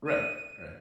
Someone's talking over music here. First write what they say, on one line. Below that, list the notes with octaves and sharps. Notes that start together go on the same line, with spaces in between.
Right, right.
D#7